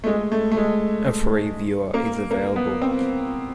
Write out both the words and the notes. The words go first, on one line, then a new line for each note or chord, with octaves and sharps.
A free viewer is available.
A3
G#3
A3
A3
G#3
A#3
A#3
B3
C4